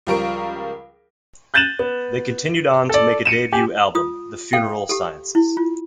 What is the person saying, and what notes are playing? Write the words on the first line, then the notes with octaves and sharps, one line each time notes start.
They continued on to make a debut album, "The Funeral Sciences".
C#2 F3 G3 A#4 C#6 D7
F#6 G6 A6 D#7 E7 F#7
B3
A4 D5
C#7 D#7 E7
G4 G#5
F4 D#6
A4 F5 G5
G4 A4
E4
F4